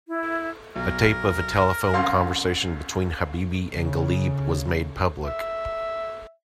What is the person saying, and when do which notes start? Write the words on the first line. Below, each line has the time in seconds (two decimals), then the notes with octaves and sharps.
A tape of a telephone conversation between Habibie and Ghalib was made public.
0.08 E4
0.76 B1 A#4
1.94 C2 F#2 F5 C6
3.73 C#3
5.25 E5